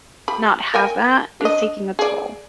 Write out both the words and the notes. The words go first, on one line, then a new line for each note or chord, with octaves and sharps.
not have that is taking a toll.
G4 B5
A#4 G5 G#5
D4 D#5
G#4 D5